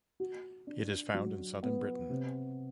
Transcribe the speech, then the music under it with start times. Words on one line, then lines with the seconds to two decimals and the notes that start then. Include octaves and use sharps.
It is found in southern Britain.
0.20 F#4
0.67 D4
1.14 F#3
1.63 B3
2.10 C3